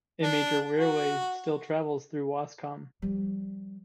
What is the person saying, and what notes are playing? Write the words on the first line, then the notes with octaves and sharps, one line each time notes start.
A major railway still travels through Waskom.
D4
F#4
F3 G3